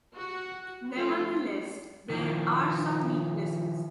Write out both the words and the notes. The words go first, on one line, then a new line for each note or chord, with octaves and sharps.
Nevertheless, there are some weaknesses.
F#4
F3 A3 C4 F4
D#3 F3